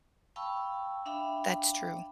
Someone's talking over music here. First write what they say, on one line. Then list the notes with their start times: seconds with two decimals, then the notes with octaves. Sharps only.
That's true.
0.36 F5 G5 A5 B5 C#6 E6
1.06 D4 E5 F5 G5 B5